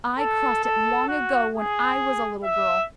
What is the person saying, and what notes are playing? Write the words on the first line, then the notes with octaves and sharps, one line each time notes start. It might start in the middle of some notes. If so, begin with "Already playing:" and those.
I crossed it long ago when I was a little girl.
A4
A4
F#4
G#4
E5